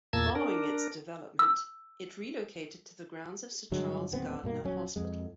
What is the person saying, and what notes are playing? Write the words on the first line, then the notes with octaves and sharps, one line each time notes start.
Following its development, it relocated to the grounds of Sir Charles Gairdner Hospital.
E2 A#2 A#3 A5 E6 G#6
D4 A#4
E6
G2 D3 F#3 G#3
D1 D#2 B3 C4
G2 B2 A#3
D#1 F#3 C#4
F2 G#3